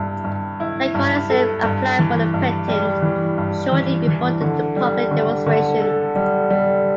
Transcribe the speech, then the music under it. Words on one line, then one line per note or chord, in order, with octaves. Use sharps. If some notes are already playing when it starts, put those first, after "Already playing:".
Tykonicer applied for a patent shortly before the public demonstration.
Already playing: G2 E4
G2
E4
G2
A4
G2
E3
G2
G3
E3
G2
E3
E3
D3
G3
D3
D3
A4
G3
G3